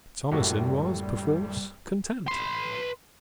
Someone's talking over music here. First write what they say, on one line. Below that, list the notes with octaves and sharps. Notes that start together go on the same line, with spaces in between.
Thomasin was perforce content.
F#1 A2 G3 F#4 G4
B4 C6